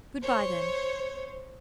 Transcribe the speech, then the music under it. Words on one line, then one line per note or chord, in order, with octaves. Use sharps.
"Good-bye, then."
C5 C#5